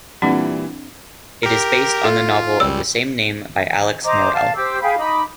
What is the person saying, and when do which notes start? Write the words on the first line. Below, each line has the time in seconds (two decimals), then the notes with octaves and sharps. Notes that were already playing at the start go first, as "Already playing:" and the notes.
It is based on the novel of the same name by Alex Morel.
0.22 A#2 E3 G3 C4 D4 F#5
1.43 G4 A#4
2.04 F4 A4
2.60 C#2 G3 E6
4.05 C5 D#5 A#5 D6
4.32 F5 A5
4.55 G4 C5 D6 E6
4.81 G#4 F5 G5 B5
4.98 D#4 B5 D6